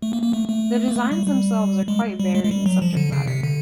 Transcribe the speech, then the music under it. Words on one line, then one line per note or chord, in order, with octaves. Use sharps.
The designs themselves are quite varied in subject matter.
A3
A#3
A#3
A3
A3
A#3
A3
G3
G3
G#3
G3
G#3
G#3
G3
F#3
F3
D3
C#3
C3
D3